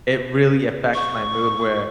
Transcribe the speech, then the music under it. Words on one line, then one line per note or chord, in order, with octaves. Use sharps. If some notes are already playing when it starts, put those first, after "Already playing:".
it really affects my mood where
C#6